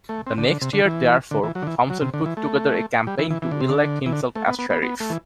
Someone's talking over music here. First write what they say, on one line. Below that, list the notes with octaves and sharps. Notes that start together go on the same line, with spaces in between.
The next year, therefore, Thompson put together a campaign to elect himself as Sheriff.
A3
C4
D3
D3
C3
D3
E3
D3
E3
F#3
D3
E3
F#3
C3
D3
E3
A3
G3
E3
E3
E3
D3
C3
D3
E3
D3
A3
B3
B3
B3
B3
A3
E3